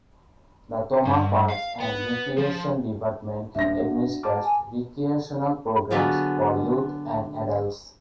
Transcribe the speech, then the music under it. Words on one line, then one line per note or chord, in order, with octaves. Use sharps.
The Tomah Parks and Recreation Department administers recreational programs for youth and adults.
G2
F5
B3
F3
D#1 D4 E5 A#6
F#4
A5 D6 F6
G#5
D3 F#3 B3 F4 G#4